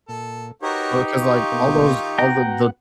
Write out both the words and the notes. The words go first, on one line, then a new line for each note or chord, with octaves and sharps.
but 'cause, like, all those all the the
A#2 A4
D#4 F#4 G4 A#4 B4 C#5
D#3 F4 C#6
B2 A#3 B3
B3 F#4 F#5 G5 A#5